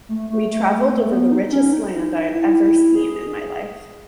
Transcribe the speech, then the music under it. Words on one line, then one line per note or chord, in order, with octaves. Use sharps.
We travelled over the richest land I had ever seen in my life.
A3
A3
A3
B3
D#4
C#4
D#4
E4
G#4